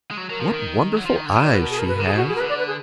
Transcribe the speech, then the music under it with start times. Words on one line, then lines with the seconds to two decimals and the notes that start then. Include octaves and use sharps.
What wonderful eyes she has.
0.11 G#3
0.17 F#3
0.30 F#3 A#4
0.41 F3
0.48 D3
0.53 D#3
0.97 F#3
1.05 F3
1.16 D#3
1.25 D3
1.35 B2
1.44 D5
1.52 B4
1.61 A#4
1.70 G#4
1.79 A#4
1.88 B4
1.97 A#4
2.00 D3
2.05 B2 G#4
2.17 F#4
2.29 G#4
2.36 A#4
2.40 D3 B4
2.49 D5
2.59 B4
2.67 G#4